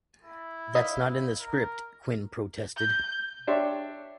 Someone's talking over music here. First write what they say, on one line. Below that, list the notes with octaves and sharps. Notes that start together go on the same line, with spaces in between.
'That's not in the script', Quinn protested.
E4
D#5 F5 B5
A#4
G6
D4 G4 C#5 E5 C6